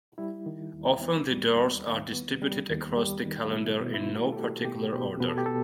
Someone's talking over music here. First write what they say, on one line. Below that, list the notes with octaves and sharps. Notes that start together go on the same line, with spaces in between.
Often the doors are distributed across the calendar in no particular order.
G3 E4
D#3
D#2
B3
G3
D#2
D#3
B3
G3
D#2
G3
D#3
B2 E4
B2
E4
A3
F#4
A4
A3 G4
B2 G4
B2 G4
B2 B4
A4
G4
B2 A4